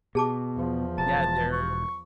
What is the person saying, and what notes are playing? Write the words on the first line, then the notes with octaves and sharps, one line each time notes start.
Yeah. There
B2 G#4 A5 D6
E2 F3
E1 A5 A#5
C#6